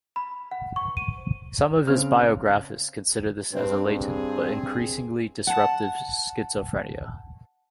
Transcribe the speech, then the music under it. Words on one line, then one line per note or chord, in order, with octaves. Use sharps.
Some of his biographists considered this as a latent, but increasingly disruptive schizophrenia.
B5
F#5
C#6
D#7
C#3 C4 F6
G2 C4 B4
C4 G#4
F#5 A5